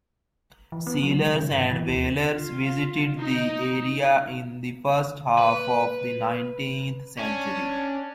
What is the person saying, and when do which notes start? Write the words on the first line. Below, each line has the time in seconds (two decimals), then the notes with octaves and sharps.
Sealers and whalers visited the area in the first half of the nineteenth century.
0.72 E3
0.87 B3
1.03 F#3
1.21 G#3
1.35 C#3
1.51 G2
1.71 E3
1.89 D#2
2.30 F4
3.18 D#4
5.38 B4
7.18 C#4 D4